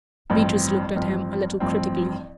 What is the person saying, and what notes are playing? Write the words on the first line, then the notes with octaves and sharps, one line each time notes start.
Beatrice looked at him a little critically.
A1 G2 F3 C4
A1 G2 F3 C4
A1 G2 F3 C4